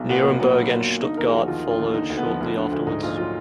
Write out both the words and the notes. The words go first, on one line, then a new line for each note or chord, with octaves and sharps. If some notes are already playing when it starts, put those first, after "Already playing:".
Nuremberg and Stuttgart followed shortly afterwards.
Already playing: B1
A#2 B3
B1 A#3
F#3 B3
B1
A#2
B1
D3 D#4
D#2 A#4
G#4
F3 F#4
D#2 F4
D3
F4
D#2
D3 D#4
D2
B3
F3
D2
D3
D2
G#2 D#4
A#1 F4
F#3 F4